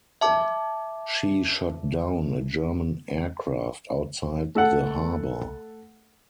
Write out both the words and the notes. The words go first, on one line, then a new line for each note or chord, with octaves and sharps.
She shot down a German aircraft outside the harbour.
E5 A5 D6
A3 A4 F#5